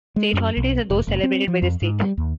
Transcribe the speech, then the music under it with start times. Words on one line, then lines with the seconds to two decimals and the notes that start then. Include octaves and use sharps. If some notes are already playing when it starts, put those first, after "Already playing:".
State holidays are those celebrated by the state.
0.16 G#3
0.33 F#2
0.57 B1
0.90 F1
1.08 F1
1.23 C4
1.48 F3
1.62 F2
1.82 G#2
2.02 G3
2.17 D#2